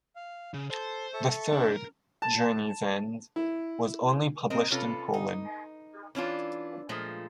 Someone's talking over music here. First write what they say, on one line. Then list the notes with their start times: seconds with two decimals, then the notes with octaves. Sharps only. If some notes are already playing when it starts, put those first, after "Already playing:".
The third, Journey's End, was only published in Poland.
0.16 F5
0.54 C#3
0.70 A4 C5
1.14 A4 E5 C#6
1.53 D4
1.72 A#4
2.22 A5
3.36 E4
4.50 C4 A#4 D#5
4.71 C3 C#4 F4 A4 B4
5.14 D#4
6.15 E3 C#4 D4 F4
6.89 A#2 F3 G#3 A3